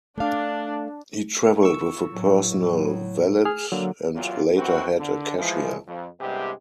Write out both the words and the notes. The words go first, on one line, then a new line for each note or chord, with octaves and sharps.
He travelled with a personal valet and later had a cashier.
A3 D4 F5
C#6 E6
A2 F#3
G#4 F6
D3 F#3 A#3
E2 A#2 F#3 F4
F#2 E3 C4 F#4
D3
E3 F3 G#3
F2
C2 G2 C3 G#3 B3 G4